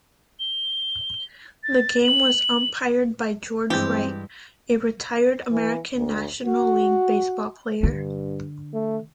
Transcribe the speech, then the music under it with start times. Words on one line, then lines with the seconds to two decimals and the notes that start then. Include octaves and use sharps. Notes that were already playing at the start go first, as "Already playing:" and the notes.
The game was umpired by George Wright, a retired American National League baseball player.
0.40 G7
1.64 A6
2.03 F#7
3.70 G2 E3 G#3 C4 G4
5.52 E3
5.97 D2
6.46 F#4
7.83 G2 D3
8.74 A3